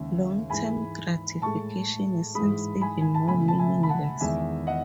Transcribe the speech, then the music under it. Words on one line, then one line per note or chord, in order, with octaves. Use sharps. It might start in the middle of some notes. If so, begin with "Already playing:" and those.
Long-term gratification seems even more meaningless.
Already playing: D#2 C#3 G#3 E5
G#2 E3 G#3 G#5 B5
A2 G#3 A5 C#6
G#2 E3 G#3 B5 D#6
G#5 B5
G#5
A5
C#2 B2 A3 G#5 B5
A5
E5 G#5
B5
F#5 A5
E2 D#3 G#3 E5 G#5
D#5 F#5